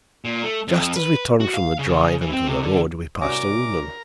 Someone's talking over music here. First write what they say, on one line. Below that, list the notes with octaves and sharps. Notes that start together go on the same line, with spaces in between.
Just as we turned from the drive into the road we passed a woman.
A#2
A3
F2
B4
F#4
F5
C#3
E3
C4
C3
D3
C2 C#4 D4 F#4 A#4 G#5 D6